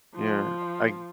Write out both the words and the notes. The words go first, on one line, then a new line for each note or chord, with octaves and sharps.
Yeah, I
F3